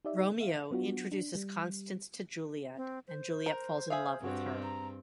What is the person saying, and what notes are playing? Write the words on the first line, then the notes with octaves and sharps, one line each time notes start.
Romeo introduces Constance to Juliet, and Juliet falls in love with her.
D#4 G4 D5 E5
E5 F5
F#3 B3 D4 F4 F#4
D4
G3
C4
C5
A#4
G#4 E5 F5
G2 C4 F#4
A#5